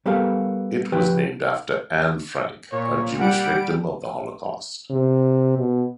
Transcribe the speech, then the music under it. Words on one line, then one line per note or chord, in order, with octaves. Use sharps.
It was named after Anne Frank, a Jewish victim of the Holocaust.
G3 B3 G4 A4 A#4 F5
F3 G4 B4 G5
A#2 C#5
G3 F#5 D7
C3
B2